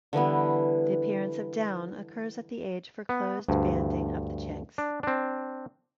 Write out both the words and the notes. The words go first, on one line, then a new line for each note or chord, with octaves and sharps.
The appearance of down occurs at the age for closed banding of the chicks.
D3 E3 G3 B3
B3
D2 G2
D4
C4 D4